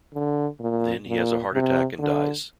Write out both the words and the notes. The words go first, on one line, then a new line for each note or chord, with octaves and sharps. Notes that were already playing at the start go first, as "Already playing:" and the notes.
Then he has a heart attack and dies.
D3
A#2
A#2
C3
D3